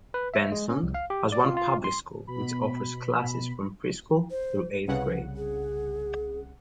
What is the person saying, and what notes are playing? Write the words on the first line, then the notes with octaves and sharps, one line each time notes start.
Benson has one public school, which offers classes from pre-school through eighth grade.
B4
E5
G#3
C#4
C2
F5
G4
D5
F4
F4
C6
B2 B5
C5
C2 C#3 B4 F#5
G#4